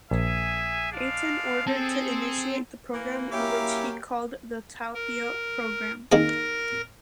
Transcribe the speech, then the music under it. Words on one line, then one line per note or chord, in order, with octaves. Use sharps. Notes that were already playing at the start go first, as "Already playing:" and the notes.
Eitan ordered to initiate the program which he called the Talpiot program.
A#1 G#4 E5 G#5
G#3 D4 F5
C4 G#4 A4 A5
E3 A#3
F#3 A#3 C#4 E4 G4 F5 D6
A#4
D#3 A#3 G#4 A#4 A#6